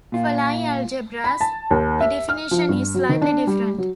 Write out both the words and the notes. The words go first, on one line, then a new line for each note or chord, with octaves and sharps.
For Lie algebras the definition is slightly different.
A#2 F4
B5
A5
D#2
E5
F6
F3
G2
F#3
D#3
D4
G3
F#3